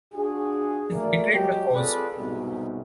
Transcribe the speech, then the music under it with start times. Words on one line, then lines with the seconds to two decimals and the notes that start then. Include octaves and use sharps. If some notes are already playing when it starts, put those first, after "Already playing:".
He's betrayed the cause.
0.14 D4 F4 F#4 G#4
0.90 A3 A#3 F#4 A#4 D5
1.31 F#3 G#3 G4
1.73 C4 F4 G#4 A4 B4 D5
2.17 C2 F2 G#2 B2